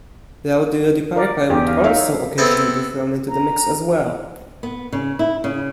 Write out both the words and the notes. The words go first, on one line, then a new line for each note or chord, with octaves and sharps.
Rowdy Roddy Piper would also occasionally be thrown into the mix as well.
A#4 D5
E2 D#4 G4
F5
D#4 C#5 E5 F5
B3 C4 E4 A4 B4 C5
A#5
B3
C#3
E4
C#3